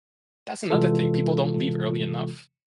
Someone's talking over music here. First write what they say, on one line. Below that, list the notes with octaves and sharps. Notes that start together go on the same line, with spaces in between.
That's another thing, people don't leave early enough,
C3 E3 G#3 F4 A4